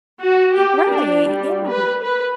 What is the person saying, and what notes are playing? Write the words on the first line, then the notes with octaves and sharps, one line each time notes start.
Right. Yeah.
F#4
G4
D4
G3
B4
B4